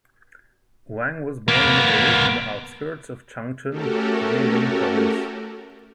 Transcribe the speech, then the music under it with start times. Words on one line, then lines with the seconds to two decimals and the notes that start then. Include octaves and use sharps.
Wang was born in a village in the outskirts of Changchun, Jilin Province.
1.48 A#3 B3
3.70 A3 C#4 F#4 G4 A4 A#4